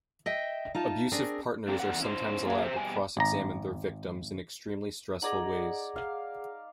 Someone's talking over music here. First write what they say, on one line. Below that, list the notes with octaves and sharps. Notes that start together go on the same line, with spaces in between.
Abusive partners are sometimes allowed to cross examine their victims in extremely stressful ways.
D#5 E5 G5
D#4 F4 A5
C4 D4 G#4 A#4
A3 C4 D4 A4 A#4
E2 A3 A4 F#5
C#4 E4 C5
A3 A#3 C#4 D4 F#4 G#4
C3 C5 E5
B2 G3 E5 G#5
G#1 A#5
D#4 G#4 D5 F#5 A#5
F5